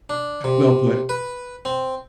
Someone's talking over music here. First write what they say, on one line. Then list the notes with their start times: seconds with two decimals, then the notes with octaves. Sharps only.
Well put.
0.10 D4
0.44 C3
1.09 B4
1.65 C4